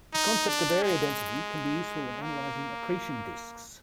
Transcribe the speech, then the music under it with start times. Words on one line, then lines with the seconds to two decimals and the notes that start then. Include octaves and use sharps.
The concept of area density can be useful when analysing accretion disks.
0.13 D#4
0.48 D4
0.83 G#3
2.22 A#3